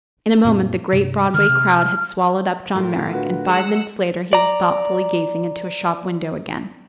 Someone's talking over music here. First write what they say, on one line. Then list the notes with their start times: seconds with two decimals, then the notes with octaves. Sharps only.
In a moment the great Broadway crowd had swallowed up John Merrick, and five minutes later he was thoughtfully gazing into a shop window again.
0.44 F#2 A#2 C4
0.93 G2 C3
1.34 D3 D#3 F6
1.49 C3
2.75 A2 F4 A#4
3.11 D3 F#4 B4
3.48 G#3 F#5 E6
4.33 D5 A#5